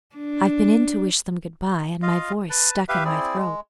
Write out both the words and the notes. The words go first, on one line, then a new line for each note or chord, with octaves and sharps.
I've been in to wish them good-bye, and my voice stuck in my throat.
D4
F4 D#5 F5
B4 A5
G4 B4 E5 F5
C4 E4 G#4 D5
G#3